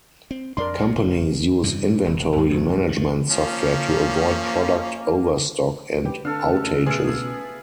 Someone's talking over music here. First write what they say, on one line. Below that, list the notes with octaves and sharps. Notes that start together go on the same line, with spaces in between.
Companies use inventory management software to avoid product overstock and outages.
C4
F2 D4 A#4 D5 C6
B1 A2 C3
F#1 F3
G2 C3 E3
E1
D#2 G#2 G#3
A#1 F2 G#2
G2
F3 A#3 C#4
G4 B4
D3 A4 F5 A5
C#3 A3
B2 B3 F4 G#4 E5